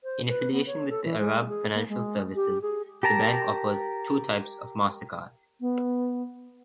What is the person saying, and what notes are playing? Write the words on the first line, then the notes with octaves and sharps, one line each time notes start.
In affiliation with the Arab Financial Services, the bank offers two types of MasterCard.
C5
B4
B3
C#5
A4
E3
G#3
G#4
A#3
G#3
G4
G#4
G4 A#4 A5 A#5
B3